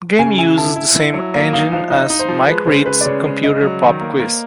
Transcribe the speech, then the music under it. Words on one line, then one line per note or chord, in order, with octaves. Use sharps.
The game uses the same engine as "Mike Read's Computer Pop Quiz".
C#3 G#5
E4 G#5
E4 A5
E4
E4
F#3
A#3 F5
D#4 F5
F3 F5
D#4 D#5
D#4
C5
F3
G#3 B4
C#3 C5
G#3 B4
D5
C#3 C#5
G#3
C#3 D#5
F#3
D#3
A#3
A#3